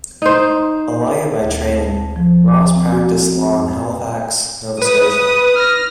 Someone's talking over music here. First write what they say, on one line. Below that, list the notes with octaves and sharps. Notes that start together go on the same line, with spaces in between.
A lawyer by training, Ross practised law in Halifax, Nova Scotia.
D#4 C5
D2
C4
A5
F3
D6
C4
F#4
C4
C4
F#2
B4 D#6
F6 A#6